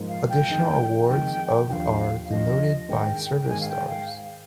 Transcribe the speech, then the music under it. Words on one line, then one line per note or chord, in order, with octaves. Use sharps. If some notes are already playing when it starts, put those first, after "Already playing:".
Additional awards of are denoted by service stars.
Already playing: G#2 F3 A#3 F4
F5
G5
F2 D#3 G#3 D#4
F2 D#3 G#3 D#4 G5
D#2 D3 F3 F5 G5
D#2 D3 F3 D#5
G#2 D#3 G#3 D#4 G5
G5
G#2 D#3 G#3 D#4 G#5
F5
G5
F5